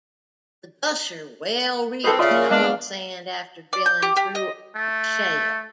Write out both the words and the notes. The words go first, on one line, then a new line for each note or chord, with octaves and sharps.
The "gusher" well reached an oil sand after drilling through of shale.
E2 B2 C4 A4 B4
C#3 F4 D5 E5
A#3
G#3 B3 D4 D#5 F5
D5
G6
G4
G4
D#5
A3